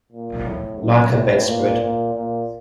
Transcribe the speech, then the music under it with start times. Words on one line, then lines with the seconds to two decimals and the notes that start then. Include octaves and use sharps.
Like a bedspread.
0.12 A#2
0.46 A2
0.79 F#2
1.13 A2
1.46 A#2
1.81 A#2
2.14 A#2